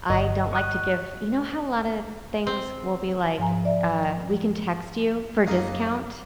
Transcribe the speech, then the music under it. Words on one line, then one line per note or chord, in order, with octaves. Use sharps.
I don't like to give you know how a lot of things will be, like, uh, "We can text you for a discount"?
G1 D#5
C#6 D#6 F#6
C4
G#2 F3 G#5 A#5
D5 E5
F#2 A#3 D#4